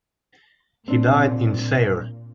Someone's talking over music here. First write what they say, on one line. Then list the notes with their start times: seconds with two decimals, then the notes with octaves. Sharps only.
He died in Sayre.
0.88 A#2 C4 D4